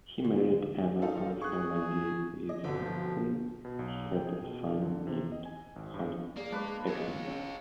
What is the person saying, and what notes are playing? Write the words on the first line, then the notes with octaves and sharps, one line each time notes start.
He married Emma of Normandy with whom he had a son named Harthacnut.
D2
D#4 F4 A4
G#4 C#6 F#6
D#5
G1 B2 D3
F3
B2
B1
G5
G#4
B2
D#3
D3
C3
D#5
G#5
G#1
G2
A#3 G#4 D5
G#3 D4 B4 C#6
F4 C#5 D#5 G#5
C#4